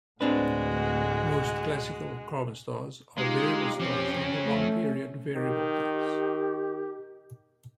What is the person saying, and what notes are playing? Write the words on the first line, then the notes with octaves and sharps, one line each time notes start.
Most classical carbon stars are variable stars of the long period variable types.
D2 A2 G#3 C4 D4 F#4 B4
G#3 D#4 F4 G4
F3 C4 C#4
A3
D#3 G4